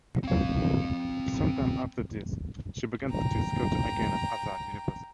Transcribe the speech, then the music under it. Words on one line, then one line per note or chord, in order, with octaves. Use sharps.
Some time after this she began to teach sculpture again at Azad University.
C4 F5
G5 A#5